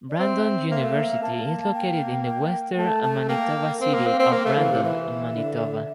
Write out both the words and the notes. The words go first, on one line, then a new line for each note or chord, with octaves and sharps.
Brandon University is located in the Western-Manitoba city of Brandon, Manitoba.
D5
C4 E5
A#3 E5
A3
A#3
A#3 A5
G5
G5
A3 A5
A5
A#3 G5
G5
C4 F5
A#3
C4
C4
A#3 F5
A3
E3
C3
E3 E5
D3